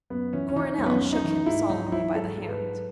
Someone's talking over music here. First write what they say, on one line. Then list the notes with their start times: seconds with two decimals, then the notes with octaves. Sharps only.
Coronel shook him solemnly by the hand.
0.10 F#2 B3
0.33 E3 C#4
0.49 C#4
0.56 E3 D#4
0.78 F#2 C#4
0.86 B3
0.94 C#4
1.01 F#2
1.13 D#4
1.24 E3
1.46 G#2 E4
1.70 F#3 D#4
1.87 D#4
1.92 F#3 E4
2.15 G#2 A4
2.38 G#2 A4
2.49 B4
2.60 F#3